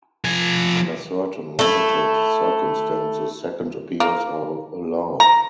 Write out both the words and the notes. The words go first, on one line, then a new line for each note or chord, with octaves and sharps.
Under certain, limited, circumstances, second appeals are allowed.
F3 G#5
A3 E4
A#3
A#5